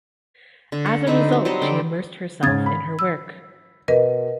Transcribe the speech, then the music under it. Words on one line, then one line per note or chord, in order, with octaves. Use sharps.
As a result, she immersed herself in her work.
D3
F#5
D3 C4 D#4 B4
F#3 C4
F#3 G3 C5 D#5
D3 G5
G#2 C#3 D#6 G#6 A6
B5
E6
B2 A#4 B4 D#5